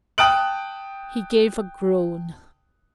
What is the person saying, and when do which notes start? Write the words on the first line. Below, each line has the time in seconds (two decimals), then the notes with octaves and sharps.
He gave a groan.
0.18 G5 A5 D#6 F#6 D7 F#7